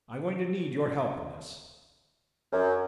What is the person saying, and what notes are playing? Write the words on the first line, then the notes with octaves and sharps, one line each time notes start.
I'm going to need your help in this.
F#2